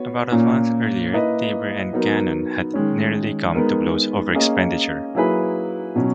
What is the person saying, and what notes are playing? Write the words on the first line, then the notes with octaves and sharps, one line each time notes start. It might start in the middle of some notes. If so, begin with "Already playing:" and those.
About a month earlier Taber and Cannon had nearly come to blows over expenditure.
Already playing: B3 F#4 C#5
A#2 A#3 C#4
A#3 E4 B4 D#5
F#3 B3 D#4 A#4
D#3 G#3 C#4
G#3 B3 D#4 A#4
A#3 C#4 G#4 D#5
F#3 A#3 E4 G#4 B4
B2 F#3 C#4